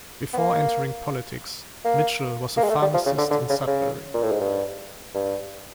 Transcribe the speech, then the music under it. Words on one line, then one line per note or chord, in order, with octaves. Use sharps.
Before entering politics, Mitchell was a pharmacist in Sudbury.
B3
A#3
A#3
A#3
G#3
A3
G3
F3
C#3
D3
D3
C#3
C#3
A#2
A2
G#2
G2
G2